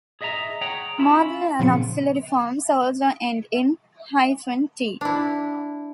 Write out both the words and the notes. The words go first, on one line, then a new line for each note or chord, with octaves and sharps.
Modal and auxiliary forms also end in "-t".
G#4 D#5 E5 F#5 A#5
G#4 C#5 F#5 G5 A#5
C#4 E4 F4
A#2 C#3 F3 B3 C4 C#7
D4 E4